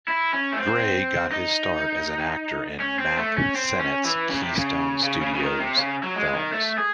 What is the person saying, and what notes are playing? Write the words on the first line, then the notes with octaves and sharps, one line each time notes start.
Grey got his start as an actor in Mack Sennett's Keystone Studios films.
E4
C#4
A3
C4
D#4
C#4
C4
A3
C#4
C4
C#4
E3
C#3
C3
C#3
C#3
C#3
C#3
D#3
C3
C#3
F#3
G#3
D#3
A3
G#4